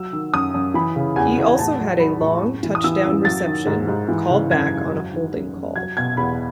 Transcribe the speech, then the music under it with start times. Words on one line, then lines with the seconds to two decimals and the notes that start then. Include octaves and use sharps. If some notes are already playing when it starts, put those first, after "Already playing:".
He also had a long touchdown reception called back on a holding call.
Already playing: F#3 E6
0.13 D#3
0.33 F#2 D#6
0.54 F#2
0.74 E3 B5
0.96 C#3
1.16 E2 G#5
1.38 E2
1.59 A2 A5
1.79 F#3
2.00 F#3 B5
2.21 A2 C#6
2.43 F#2
2.63 E3
2.75 D#6
2.84 E3 E6
3.05 F#2
3.25 F#3 A6
3.46 D#3
3.67 G#2
3.88 G#2
4.09 E3
4.30 C#3
4.51 F#2 G#6
4.71 F#2
4.92 F#3
5.13 D#3
5.34 F#2
5.55 F#2
5.76 F#3 G#6
5.97 B2 G#6
6.17 E2 B5